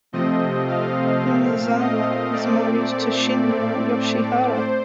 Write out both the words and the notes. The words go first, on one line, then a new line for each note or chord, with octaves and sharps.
Umezawa is married to Shinya Yoshihara.
C3 F3 A3 C4 D#5
F5
A#2 A3 C4
D#5
A#2 A3 C4 D5
D5
A2 A3 C4
C5